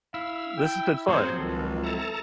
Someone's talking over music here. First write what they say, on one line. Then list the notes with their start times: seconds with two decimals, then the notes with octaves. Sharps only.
This has been fun.
0.14 E4 F5 E6
0.58 G5
1.08 F3 F#3 A#3 C4 G#4 C5 C#5
1.38 C#2 D#3 A4
1.83 E4 A4 A5 A#5